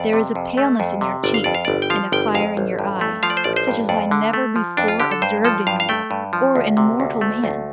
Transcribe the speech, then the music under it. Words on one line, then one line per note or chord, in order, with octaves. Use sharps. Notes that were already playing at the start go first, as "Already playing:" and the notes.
There is a paleness in your cheek, and a fire in your eye, such as I never before observed in you, or in mortal man.
Already playing: F2 D5
C3
F2
A3
F2
C3
G1 D5
F5
F2 D5
F5
G1 D5
G5
F3 F5
G1 G5
F2 F5
A1
G2
A3
F3 F5
D5
C5
A1 D5
C5
G2
F2 D5
D3
A3
F3
F2 D4
F4
D3 G4
A4
G2 C5
F3 A4
G2 F5
F5
A3 G5
G2
F3
D2
C3
D2
A3
D2